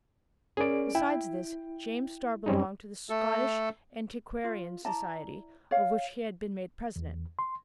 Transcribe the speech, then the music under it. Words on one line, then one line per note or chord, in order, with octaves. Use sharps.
Besides this, James Starr belonged to the Scottish Antiquarian Society, of which he had been made president.
C#4 G#4 A#4 D5 D7
E4 G5
F#2 G3 C4 C#4 D#4
A3 A4
F4
E4 D5 A5 A#5
C#5 F5
E2
C6